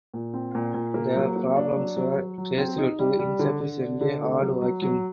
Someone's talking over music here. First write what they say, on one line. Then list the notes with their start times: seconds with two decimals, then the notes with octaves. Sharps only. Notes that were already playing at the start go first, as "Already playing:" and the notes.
The problems were traced to insufficiently hard vacuum.
0.14 A#2
0.34 C4
0.55 A#2
0.74 A#2
0.94 A#3
1.15 F#3
1.36 A#3
1.57 D4
1.76 F#3
1.96 F#3
2.17 F#3
2.38 F#3
2.58 C4
2.78 D#4
2.99 G3
3.19 G3
3.39 D3
3.60 D3
3.81 D4
4.01 D3
4.22 A3
4.41 F#3
4.61 F#3
4.82 F#3